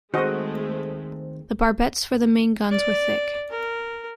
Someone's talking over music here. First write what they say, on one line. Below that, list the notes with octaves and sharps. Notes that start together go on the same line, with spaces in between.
The barbettes for the main guns were thick.
D#3 G#3 A3 C4 F#4 C5 D#5
D5
A#4